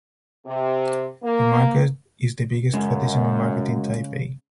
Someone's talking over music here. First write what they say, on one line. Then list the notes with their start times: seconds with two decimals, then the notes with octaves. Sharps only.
The market is the biggest traditional market in Taipei.
0.46 C3
1.23 A#3
2.74 C#2 F#2 C#3 G#3